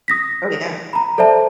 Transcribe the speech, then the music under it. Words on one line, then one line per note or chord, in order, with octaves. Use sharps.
Oh, yeah.
D#6 A#6 B6
A#5 B5
A4 C5 D5 E5 A5